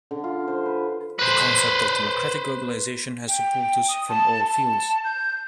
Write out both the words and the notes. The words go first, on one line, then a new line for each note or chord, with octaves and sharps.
The concept of democratic globalization has supporters from all fields.
D3
F4
C5
B4
B4 C5
G5
D#6
A5
A5
G6